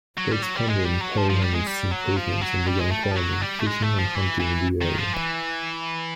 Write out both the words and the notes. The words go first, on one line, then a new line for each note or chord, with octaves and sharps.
They expanded Paulhamus' improvements and began farming, fishing and hunting in the area.
F#3
G3
F#3
G3
G#3
G3
F#3
F3
F3
G3
G#3
G3
F#3
F3
F#3
G3
G#3
A3
G3
F3
F#3
G3
A3
G#3
A3
F3
E3
E3
D#3
F3
E3